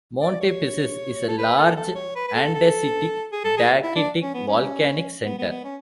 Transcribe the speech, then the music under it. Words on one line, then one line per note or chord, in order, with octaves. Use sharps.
Monte Pissis is a large andesitic-dacitic volcanic centre.
D5
C#5
A4
B4
A4
A4
C#5
B4
B4
A4
A4
G#4
A4
G#4
E4
D4
C#4
B3
C#4
B3
B3
B3
C#4